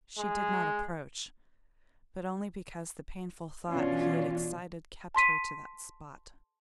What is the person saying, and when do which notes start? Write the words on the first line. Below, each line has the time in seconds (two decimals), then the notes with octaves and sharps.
She did not approach, but only because the painful thought he had excited kept her to that spot.
0.18 G#3
3.70 B2 E3 C#4 D4 F4
5.14 A5 C6 B6 D#7